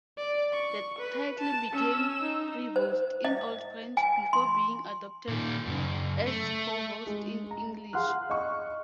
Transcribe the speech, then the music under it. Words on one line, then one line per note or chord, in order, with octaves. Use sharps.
The title became "prevost" in Old French, before being adopted as "provost" in English.
D5
C#6
B4
A5
C#4 E6
D#4
C5
D#5
G#5
C6
A#2 D#3
F#2 C#3
A3
G#3
A#5
G#4 F5 F#5 C6 F6 F#6
D#5 C#6